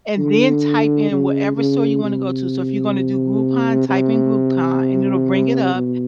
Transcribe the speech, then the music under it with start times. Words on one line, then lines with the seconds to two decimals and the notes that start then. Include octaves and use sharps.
and then type in whatever store you wanna go to, so if you're gonna do Groupon type in Groupon and it'll bring it up
0.18 D3
1.11 C#3
1.57 C#3
2.03 C3
3.89 C3
5.75 B2